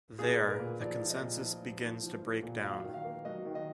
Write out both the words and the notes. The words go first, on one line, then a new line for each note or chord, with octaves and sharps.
There, the consensus begins to break down.
A#2 G#4
A#2 B4
A#4
A#2
F3 D5
F3
D#5
A#2
F3
F3
F3
F3
F3
A#2
F#3 F5
D#3
F5
A#3
F#3 D#5
D#3
D#5